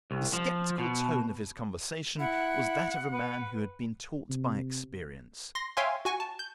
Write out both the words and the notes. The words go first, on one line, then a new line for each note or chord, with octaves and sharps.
The sceptical tone of his conversation was that of a man who had been taught by experience.
C2
F3
B2
E4 F#5
B4
C3
C6 A#6
C#5 E5 F5 G5 G#5 C6
F#4 G#5 C#6
A5
G6